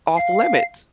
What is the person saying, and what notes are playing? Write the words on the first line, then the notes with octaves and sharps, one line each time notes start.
off limits?"
F5